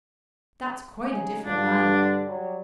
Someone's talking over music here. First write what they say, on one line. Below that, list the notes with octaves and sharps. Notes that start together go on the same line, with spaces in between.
"That's quite a different matter."
C#3 D#4 G#4
G2 D3 D4 F4
D3
F#3 G3